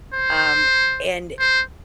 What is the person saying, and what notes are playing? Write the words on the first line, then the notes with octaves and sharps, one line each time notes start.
um and
C5
C5